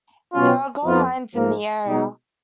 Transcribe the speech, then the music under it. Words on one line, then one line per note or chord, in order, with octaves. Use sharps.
There are gold mines in the area.
B2 F#3 C#4 F4
F2 F3 B3 F4
G#2 F3 A#3
B2 G#3 D#4